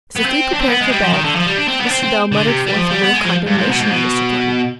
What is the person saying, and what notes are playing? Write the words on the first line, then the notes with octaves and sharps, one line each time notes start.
As the three prepared for bed, Mr. Bell muttered forth a little condemnation of Mr. Thornton.
B3
C4
D4
C4
B3
G#3
G3
F3
D#3
D3
F3
G3
D4
C4
B3
D4
C4
C4
D3
C3
G3
F3
G3
B3
G#3
F3
G2
G#2
B2
G#2
B2